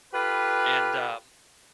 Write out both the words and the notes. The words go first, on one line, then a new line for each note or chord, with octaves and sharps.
and, um
F4 G4 A4 B4